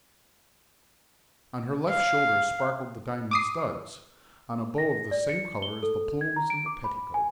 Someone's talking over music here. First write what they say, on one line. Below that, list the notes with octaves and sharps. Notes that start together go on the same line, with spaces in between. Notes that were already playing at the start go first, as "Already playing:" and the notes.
On her left shoulder sparkled the diamond studs, on a bow of the same color as the plumes and the petticoat.
F5
D6 D#6 C7
A#6
D5
C#7
G7
A4
G#6
A#5
D7
D6
B5
G#5